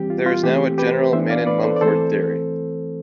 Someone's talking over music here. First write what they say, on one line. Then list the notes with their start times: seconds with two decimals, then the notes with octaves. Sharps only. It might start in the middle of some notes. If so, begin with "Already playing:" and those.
There is now a general 'Manin-Mumford' theory.
Already playing: E3 G3 C4 G4
0.10 F4
0.26 F4
0.43 E3 A3 C4 G4
0.78 G4 B4
1.13 E3 B3 D4 C5 E5
1.30 D5 F5
1.47 B4 D5
1.64 A4 C5
1.76 D5
1.81 E3 A3 C4 A4 C5